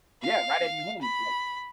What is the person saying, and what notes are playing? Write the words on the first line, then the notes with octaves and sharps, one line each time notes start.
Yeah, right at your home, like
F5
B5